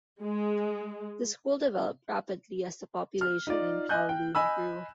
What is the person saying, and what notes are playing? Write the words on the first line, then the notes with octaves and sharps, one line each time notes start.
The school developed rapidly as the population in Kowloon grew.
G#3
F6
D#4 F4 D5
D#5 G#5 F#6 G6
G5
D#5 G#5 B5 E6